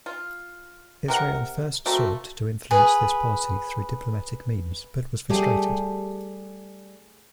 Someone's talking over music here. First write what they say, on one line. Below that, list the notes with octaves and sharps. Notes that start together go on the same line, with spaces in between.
Israel first sought to influence this policy through diplomatic means but was frustrated.
F4
C3 A#4 F#5
A3 A#3 C4 F#4
G#4 B4
G3 A3 G4 G#4